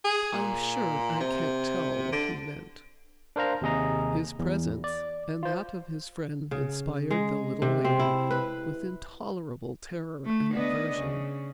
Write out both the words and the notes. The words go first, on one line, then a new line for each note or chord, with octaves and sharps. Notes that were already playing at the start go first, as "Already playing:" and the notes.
"I'm sure I can't tell what he meant." His presence and that of his friend inspired the little lady with intolerable terror and aversion.
G#4
A#2
C3
D3
D4 A#4 C5 F5 A#5
D#2 C3 G#4 D#5 A#5
E2
D5
F4 C5
C#3
G#3
C3
C4
E4
B4
A3
B3 D4 D#5
C#3